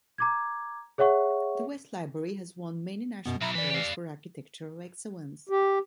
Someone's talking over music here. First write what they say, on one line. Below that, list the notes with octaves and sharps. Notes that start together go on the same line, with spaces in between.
The West Library has won many national awards for architectural excellence.
A#5 D6 G#6
G#4 C#5 E5 F#5 C#6
F#2 B2 B3
B1 E5 A#5 B5
F2 E3 D5 B5
G4 F5
D5
G4